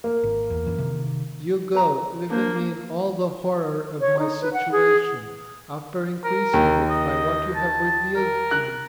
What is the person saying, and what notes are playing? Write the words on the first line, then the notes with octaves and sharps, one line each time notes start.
You go, leaving me in all the horror of my situation, after increasing it by what you have revealed to me.
A#3
G#1
E2
F#2 E3
C3 D#3
B4 A#5
A#3 D4 B4 C5
C#5
D#4
B4
F#5
G#4
A#4
D#2
D#5
A5
A#4
F#6